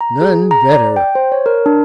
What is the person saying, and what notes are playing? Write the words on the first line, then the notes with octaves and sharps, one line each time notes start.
None better.
A#5
G#4
A#5
D5
G5
C5
C#5
A#4
D4